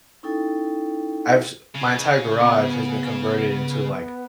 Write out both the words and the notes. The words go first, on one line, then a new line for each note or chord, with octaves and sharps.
I've s my entire garage has been converted into, like
C#4 D#4 E4 A4 G5
C#3
B3